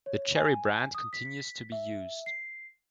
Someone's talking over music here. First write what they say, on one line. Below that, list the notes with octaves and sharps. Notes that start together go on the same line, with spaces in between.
The Cherry brand continues to be used.
C#5
G#5
D#6
B6
E5
C7